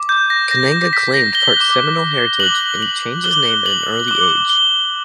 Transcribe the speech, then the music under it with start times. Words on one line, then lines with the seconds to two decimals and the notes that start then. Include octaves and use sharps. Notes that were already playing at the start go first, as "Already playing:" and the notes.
Kananga claimed part Seminole heritage and changed his name at an early age.
Already playing: D6
0.09 G6
0.30 A#6
0.51 A#6
0.72 D6 G6
0.93 B6
1.14 A#6
1.35 G7
1.57 D6 F#6
2.40 D6 F#6 F#7
2.82 F#7
3.24 D6 F#6 G7
3.66 F#7
4.08 D6 F#6 G7
4.50 G7